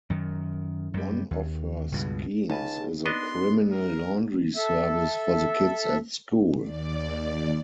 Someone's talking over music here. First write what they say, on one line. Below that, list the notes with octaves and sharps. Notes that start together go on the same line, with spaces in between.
One of her schemes is a criminal laundry service for the kids at school.
F#2 D#3
F#2 G3
D#2
C#2 G2 B2
C#2 D#4 G#5 A5 B5
B3 D4 D#5 C6
A#4
A4 E5
D#2 D5